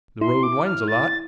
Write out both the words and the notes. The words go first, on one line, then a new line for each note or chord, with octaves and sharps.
The road winds a lot.
E4 C6
D6
F6
A6